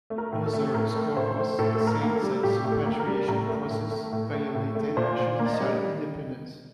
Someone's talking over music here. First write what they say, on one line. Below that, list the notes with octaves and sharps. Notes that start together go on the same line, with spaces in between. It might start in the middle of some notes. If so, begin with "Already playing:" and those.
Other scholars said that the patriation process violated judicial independence.
A3
A#4
A2
A4
A3
A2 A#4
A3
A2 C5
A3
A2 A4
A4
A2
A#4
A#3
A4
G3
A2 G4
A2
A4
A#3
A#4
G3
A2 A#4
A3
A2
A3
A2
A3
A2
A3
A#2 C5
A#2
A#3
D5
D#5
G3